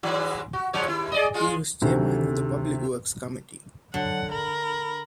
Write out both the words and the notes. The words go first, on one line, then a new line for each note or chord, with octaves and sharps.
He was chairman of the Public Works Committee.
G#2 D#3 F#3
F#4
G#2 F3 C#5
D#2 E4
G#4 D5 D#5
G#3 F4
D2 C3 D#3 A3
D3 F#3 F#5
A#4 B5